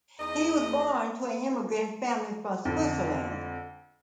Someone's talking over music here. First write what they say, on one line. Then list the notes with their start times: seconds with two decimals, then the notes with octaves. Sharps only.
He was born to an immigrant family from Switzerland.
0.19 E2 D#4 D#5
2.65 F2 D3